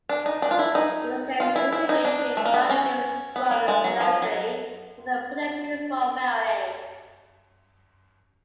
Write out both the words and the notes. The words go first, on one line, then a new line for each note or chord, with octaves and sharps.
It was then cultivated by the Williams Brothers nursery as a potential export variety.
D4
D#4
D4
F4
E4
D#4
F4
E4
E4
D#4
D4
A3
A#3
B3
C4
C#4
B3
A#3
G#3
F#3
F3
F#3